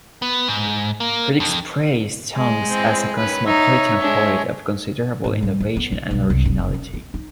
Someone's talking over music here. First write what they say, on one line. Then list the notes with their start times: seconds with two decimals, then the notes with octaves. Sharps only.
Critics praised Tonks as a cosmopolitan poet of considerable innovation and originality.
0.22 B3
0.48 G#2
1.00 A#3
1.40 F2
2.36 G#3
2.67 E3 C4
3.17 D#3 C#4 B4
3.46 D#4 C#5 E5
4.01 G#3 D4
5.24 G#2
5.43 G3
5.60 D#3
5.76 B3
5.92 D3
6.11 B1
6.30 C2
6.45 F1
6.74 C#4
6.94 B3
7.14 D#4